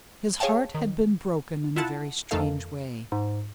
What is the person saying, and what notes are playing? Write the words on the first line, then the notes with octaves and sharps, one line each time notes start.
His heart had been broken in a very strange way.
G#4 C#5 F5 G5 A5
D#3
E4 F4 F#5 A5
F2 D#3 A3 D#4 A4 F5
G#2